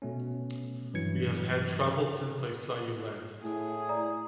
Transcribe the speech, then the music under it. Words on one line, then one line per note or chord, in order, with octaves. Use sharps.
We have had trouble since I saw you last.
B2 A3 C#4
G2 E3 F#3 G#6 C#7
A2 G#4
D5 A#5 D#6